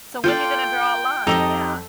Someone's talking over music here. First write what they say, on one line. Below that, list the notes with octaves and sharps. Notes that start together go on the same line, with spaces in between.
So, when you gonna draw a line? Yeah.
F4 A4 D5 G5 G6
F2 D#4 G4 A4 D#5 E6 F7